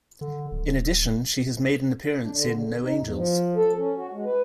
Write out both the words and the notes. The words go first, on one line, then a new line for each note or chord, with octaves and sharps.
In addition, she has made an appearance in "No Angels".
D3
D1
D4
D3
C#3
B2
D#4
E2
F3
A4
C#4
F#4
G#3
B4